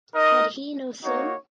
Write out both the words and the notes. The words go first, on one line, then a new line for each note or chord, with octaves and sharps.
Had he no sin?
D#4 A#4 D#5
A#3 D#4 F#4 C#5